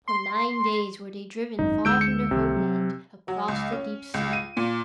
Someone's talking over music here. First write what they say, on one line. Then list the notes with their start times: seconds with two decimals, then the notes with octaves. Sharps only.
For nine days were they driven far from their homeland, across the deep sea.
0.08 C6
1.59 G#1 F#2 D#4
1.85 D2 G#3 E6 G6 D7
2.01 C#7
2.31 C2 C3 D#3
2.56 F#3
3.28 F#3
3.48 C#2
3.72 C#4
4.14 C#2
4.33 D#7
4.57 A#2